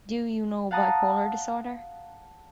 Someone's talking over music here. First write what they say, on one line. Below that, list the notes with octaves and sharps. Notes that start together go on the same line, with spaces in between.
Do you know Bipolar disorder?
F5 F#5 A5 A#5 D#6